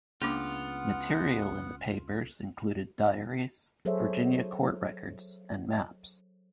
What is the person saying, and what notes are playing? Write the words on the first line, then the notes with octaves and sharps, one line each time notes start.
Material in the papers included diaries, Virginia court records, and maps.
C#2 C#3 A#3 B3 D4 F4 F#5 D6
F#3 G#4 A4 C5 C#5 E5